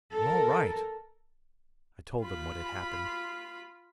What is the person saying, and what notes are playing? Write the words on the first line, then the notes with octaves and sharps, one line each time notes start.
"I'm all right." I told them what had happened.
A4 A#4
F4 B5